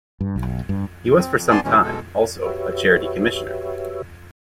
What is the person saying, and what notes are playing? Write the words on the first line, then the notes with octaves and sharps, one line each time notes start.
He was for some time, also, a charity commissioner.
G2
B1
G2
C4
F2
B3 D5 G#5 A5 C6
B2 E3 G#3 C#4
B2 G#3 A4
F#4 G4 B4 C#5 E5